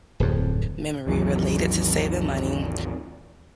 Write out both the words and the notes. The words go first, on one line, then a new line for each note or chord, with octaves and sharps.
memory related to saving money
D1 F2
G#1 D#2 E3 F#3